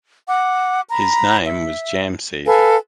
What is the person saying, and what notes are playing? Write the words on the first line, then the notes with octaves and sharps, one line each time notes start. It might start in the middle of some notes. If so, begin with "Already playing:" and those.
His name was Jamseed.
F#5 D6
A#5 B5
E5
A4 B4 F5 G#5